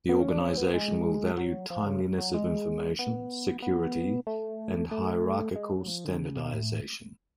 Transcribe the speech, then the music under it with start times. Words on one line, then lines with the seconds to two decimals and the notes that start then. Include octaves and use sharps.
The organization will value timeliness of information, security and hierarchical standardization.
0.09 B3
0.20 C#4
0.31 D4
0.41 C#4
0.57 B3
0.74 G#3
1.37 F#3
1.70 F3
1.86 C#3
2.18 F#3
2.34 G#3
2.99 B3
3.62 B3
4.27 A3
4.91 A3
5.56 G#3
5.72 F#3
5.88 F3
6.05 D3
6.20 C#3
6.36 B2
6.53 A2